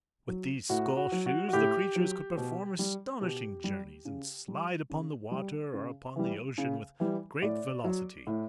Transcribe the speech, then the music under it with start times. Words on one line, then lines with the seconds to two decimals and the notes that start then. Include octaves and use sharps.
With these skull-shoes the creatures could perform astonishing journeys, and slide upon the water, or upon the ocean, with great velocity.
0.28 F#3
0.70 A2 F#4
0.97 F#4
1.12 F#3
1.26 F#4
1.48 F#4
1.53 A2 G4
1.96 F#3
2.38 B2
2.79 G3
3.21 B2 G4
3.64 G3
4.05 C#3
4.48 G3
4.90 C#3
5.31 G3
5.74 C#3
6.16 E3 G3
6.58 C#3
7.00 E3 G3
7.42 A2 D5
7.84 F#3
8.27 A2